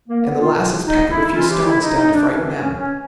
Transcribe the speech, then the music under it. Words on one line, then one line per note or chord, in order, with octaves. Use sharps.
And the lasses peppered a few stones down to frighten them.
A#3
B3
E2 B2 F4
F4
D#4
E4
E4
C#2 C#3 E3 F4
G4
E4
D#4
D#4
D4
F#2 C#3 E3 C#4
C4
C#4
C#4